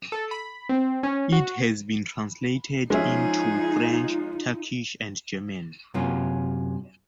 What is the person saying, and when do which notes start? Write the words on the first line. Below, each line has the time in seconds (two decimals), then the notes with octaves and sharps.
It has been translated into French, Turkish, and German.
0.12 A4
0.31 B5
0.69 C4
1.03 C#4
1.32 F#4
2.90 F3 G#3 C#4 D#4 F4 G#4 E5
5.94 F#2 C3 F#3 A#3 C#4 F4